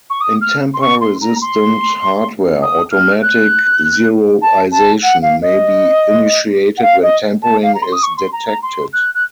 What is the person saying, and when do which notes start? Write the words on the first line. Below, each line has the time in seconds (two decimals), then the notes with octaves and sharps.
In tamper resistant hardware, automatic zeroisation may be initiated when tampering is detected.
0.10 C#6
0.21 D#6
0.41 F6
0.74 C6
0.81 C#6
1.01 C6
1.22 A#5
1.42 C6
2.62 D#6
2.91 F6
3.22 F#6
4.42 A5
4.71 A5
5.03 F#5
5.22 F5
5.42 D#5
6.78 F#5
6.82 F5
7.02 D#5
7.43 A5
7.63 F5
7.75 A#5
7.82 C6
7.93 D#6
8.03 C#6
8.17 C6
8.33 A#5
8.47 A#5
8.63 C6
8.93 F#6
9.15 F#6